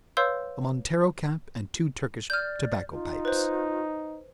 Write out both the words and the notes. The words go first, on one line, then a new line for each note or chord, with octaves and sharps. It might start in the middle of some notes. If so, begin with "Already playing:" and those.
A Montero-cap and two Turkish tobacco-pipes.
B4 C#5 F5 C6 E6 G6
D5 F6 G6
D#4 F4
B4 C5